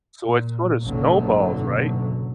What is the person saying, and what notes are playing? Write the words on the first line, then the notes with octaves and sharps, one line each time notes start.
so it's sorta snowballs, right?
A#2
F#1 B1 G#2 D3 F#3